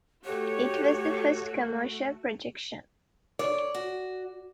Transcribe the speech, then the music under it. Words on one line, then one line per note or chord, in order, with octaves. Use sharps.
It was the first commercial projection.
A3 F#4 G4 C#5
C#5 D5
F#4